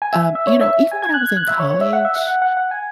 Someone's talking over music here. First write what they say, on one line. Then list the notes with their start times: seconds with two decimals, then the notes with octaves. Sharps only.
um, you know, even when I was in college,
0.02 G#5
0.13 E5
0.35 E5
0.47 C#5
0.61 E5
0.91 G#5
1.02 G#6
1.14 F#6
1.25 G#6
1.37 F#6
1.48 E5
1.60 C#5
1.71 C#5
1.81 E5
1.93 F#5
2.05 E5
2.15 F#5
2.27 F#5
2.42 F#5
2.57 F#5
2.71 G#5